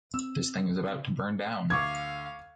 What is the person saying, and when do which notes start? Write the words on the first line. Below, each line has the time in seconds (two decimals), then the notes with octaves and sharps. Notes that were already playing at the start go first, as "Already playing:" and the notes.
This thing is about to burn down.
0.14 C4 E6
1.70 D2 F5 C#6 D6 G#6